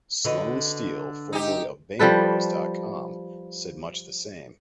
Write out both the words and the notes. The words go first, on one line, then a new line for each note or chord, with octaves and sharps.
Sloane Steel, formerly of Bangbros dot com, said much the same.
D3 F#4 B4 D#5
D#4 G4
F3 G3 A4 B4